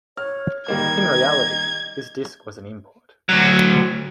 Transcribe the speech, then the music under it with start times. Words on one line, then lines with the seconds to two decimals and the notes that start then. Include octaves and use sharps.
In reality, this disc was an import.
0.17 C#5 F6
0.68 D#3 G3 A#3 D#5 G#6
3.29 D2 F#3